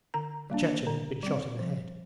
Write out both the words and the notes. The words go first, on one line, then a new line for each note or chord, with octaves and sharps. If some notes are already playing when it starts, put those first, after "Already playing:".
The Chechen had been shot in the head.
D3 A#5
G3 A#3 D4
D3
G3 C4
F3